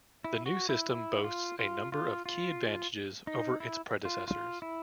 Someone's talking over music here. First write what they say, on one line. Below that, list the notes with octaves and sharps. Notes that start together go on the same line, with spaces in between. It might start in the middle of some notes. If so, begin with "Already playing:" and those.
The new system boasts a number of key advantages over its predecessors.
E4
F#4
E4
E4
F4
F4
F4
F4
D#4
E4
F4
F4
E4